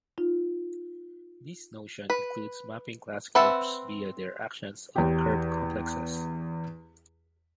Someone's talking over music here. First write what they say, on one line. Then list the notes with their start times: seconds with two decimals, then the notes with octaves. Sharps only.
This notion includes mapping class groups via their actions on curve complexes.
0.18 D#4 F4
2.10 B4
3.35 C4 B4 E5 F#5 A5
4.96 E2 G4